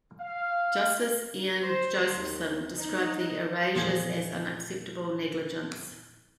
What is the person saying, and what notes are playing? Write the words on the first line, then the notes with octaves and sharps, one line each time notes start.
Justice Ian Josephson described the erasures as "unacceptable negligence".
F5
C5
D#2
D#4
E2 A#2 F3 G#4